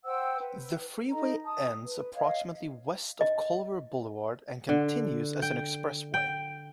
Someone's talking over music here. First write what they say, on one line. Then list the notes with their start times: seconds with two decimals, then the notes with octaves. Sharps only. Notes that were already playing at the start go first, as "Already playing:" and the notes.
The freeway ends approximately west of Culver Boulevard, and continues as an expressway.
0.05 C5 F#5 G5 E6
0.38 B4
1.11 D#4 A4 D#5 A#5
1.44 A5 D#6
1.85 B4
2.14 C#5 D#5 F5
3.21 D#5
4.69 D3
5.42 G5
6.14 G5